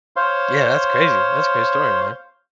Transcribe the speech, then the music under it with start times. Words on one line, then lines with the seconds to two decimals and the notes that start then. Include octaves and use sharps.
Yeah, that's crazy. That's a great story, man.
0.16 C5 C#5 F5 C6